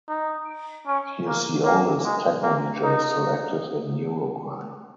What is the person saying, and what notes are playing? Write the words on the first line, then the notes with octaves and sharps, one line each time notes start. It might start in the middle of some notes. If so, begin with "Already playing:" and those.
He is the oldest techno dj still active in Uruguay.
D#4
C#4
A#3
A#3
G#3
A#3
D#4